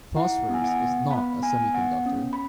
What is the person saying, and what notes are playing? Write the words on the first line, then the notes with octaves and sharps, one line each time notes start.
Phosphorus is not a semiconductor.
E4 F#5
B3
G#5
F#5
B3
B3 B5
B3 G#5
B3 F#5
C#4
B5